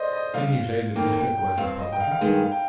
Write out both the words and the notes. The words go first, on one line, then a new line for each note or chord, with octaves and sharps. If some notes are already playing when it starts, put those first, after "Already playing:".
"Didn't you say the district was Republican?"
Already playing: C5 D5 D#5
D#5
C3 G3 D4 F5
F2 D#3 A#3 G5
G5
G5
G2 F3 C4 F5
D#5
G5
F5
F5
G2 D#3 G#3 G5
F5
G5